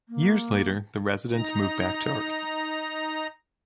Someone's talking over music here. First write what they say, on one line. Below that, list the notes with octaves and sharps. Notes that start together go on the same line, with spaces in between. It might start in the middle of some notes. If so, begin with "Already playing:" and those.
Years later, the residents move back to Earth.
A#3
D#4 A#5